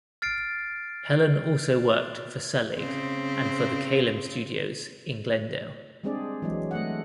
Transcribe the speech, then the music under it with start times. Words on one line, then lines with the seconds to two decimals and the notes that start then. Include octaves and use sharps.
Helen also worked for Selig and for the Kalem Studios in Glendale.
0.22 F6 A6 C7 D7
2.75 C#3 C4
6.04 G3 G#3 C4 D4 G#4 D5
6.42 E3 F#3 G#3
6.71 A3 D#5 F#5